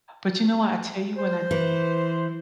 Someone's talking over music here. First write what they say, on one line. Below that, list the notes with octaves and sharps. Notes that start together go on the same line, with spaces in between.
but you know what I tell you when I
C5
E3